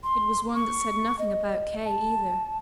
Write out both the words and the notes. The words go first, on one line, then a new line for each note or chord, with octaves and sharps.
It was one that said nothing about Kay either.
C6
C#6
D#5
A5